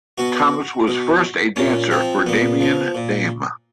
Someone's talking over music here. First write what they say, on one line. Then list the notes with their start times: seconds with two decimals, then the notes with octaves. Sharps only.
Thomas was first a dancer for Damian Dame.
0.18 B2 F#4
0.88 B2
1.56 A#2 C#4
1.91 F3 C4
2.26 A#2 B3
2.60 F3
2.95 A#2